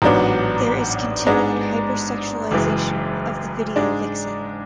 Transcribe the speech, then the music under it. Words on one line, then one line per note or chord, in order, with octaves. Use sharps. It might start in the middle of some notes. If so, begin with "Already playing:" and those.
There is continued hyper-sexualization of the video vixen.
A1 G#2 F#3 B3 D4
G#2 G#3 B3 D4
F#1 F#2 E3 G#3
G#2 G#3 D4